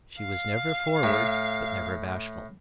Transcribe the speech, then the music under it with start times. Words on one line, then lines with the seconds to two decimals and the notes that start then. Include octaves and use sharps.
She was never forward, but never bashful.
0.21 F5
1.03 A2